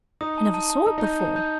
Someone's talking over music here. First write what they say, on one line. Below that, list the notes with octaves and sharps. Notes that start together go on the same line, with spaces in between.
I never saw it before.
D#4 D#6
A5
A5
A5
D#4 A5
D#4
G6
A5
G6